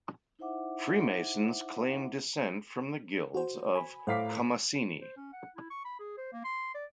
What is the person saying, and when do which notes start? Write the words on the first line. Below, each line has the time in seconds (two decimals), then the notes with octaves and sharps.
Freemasons claimed descent from the guilds of "comacini".
0.39 D#4 E4 C5 E5 F#5 D6
3.34 F#4 C5
3.75 G#5 B5
4.07 A2 C5 F5 A#5 D6 B6
5.01 C5
5.17 C#4
5.33 F#5
5.56 E4
5.70 C#6
5.85 B5
6.00 G#4
6.18 C5
6.33 A#3
6.44 C6
6.75 D5